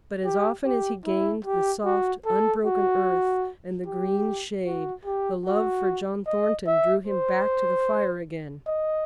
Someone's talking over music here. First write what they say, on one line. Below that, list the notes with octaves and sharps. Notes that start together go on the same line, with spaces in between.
But as often as he gained the soft unbroken earth and the green shade, the love for John Thornton drew him back to the fire again.
G4
G4
E4
G4
F#4
A4
F#4
G4
F#4
G4
F#4
D#5
E5
C5
D#5